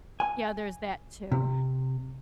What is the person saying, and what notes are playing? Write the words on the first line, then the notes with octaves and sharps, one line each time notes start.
Yeah, there's that too.
G#5
C3